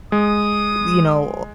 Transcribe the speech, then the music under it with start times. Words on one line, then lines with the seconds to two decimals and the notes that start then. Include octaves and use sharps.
you know,
0.12 G#3 D#6